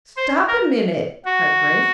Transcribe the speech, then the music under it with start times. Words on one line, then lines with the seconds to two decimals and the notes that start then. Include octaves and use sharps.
"Stop a minute!" cried Grace.
0.17 C5
0.48 A#4
1.25 F#4